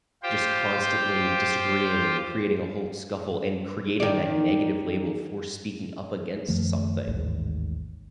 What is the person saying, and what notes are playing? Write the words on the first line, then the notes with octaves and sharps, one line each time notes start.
just constantly disagreeing and creating a whole scuffle and creating that negative label for speaking up against something,
F4 G4 C5 G5
D#3 D5
F#2 D#3 F3 A3
A1 D#2 G#2